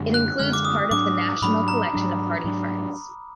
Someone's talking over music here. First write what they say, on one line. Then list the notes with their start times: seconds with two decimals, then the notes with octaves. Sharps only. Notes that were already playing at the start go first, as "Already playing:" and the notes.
It includes part of the National Collection of hardy ferns.
Already playing: F#2 D3 G#3
0.14 F#6
0.39 F#2 D3 G#3 F6
0.53 D6
0.65 D#6
0.91 G#2 F#3 D4 D6
1.42 G#2 F#3 D4 B5
1.68 A#5
1.93 G#2 F#3 D4
2.44 G#2 F#3 D4